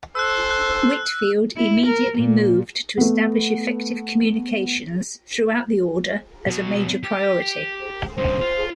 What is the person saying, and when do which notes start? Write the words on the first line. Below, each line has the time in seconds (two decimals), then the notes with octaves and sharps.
Whitfield immediately moved to establish effective communications throughout the order as a major priority.
0.15 A4 C5 E6 F#6
0.51 F#6
1.56 E4
1.86 A#4
2.18 A#2
2.98 A3 B3
6.47 B2 F#3
7.03 G4
8.18 G2 C#3 C5
8.41 F4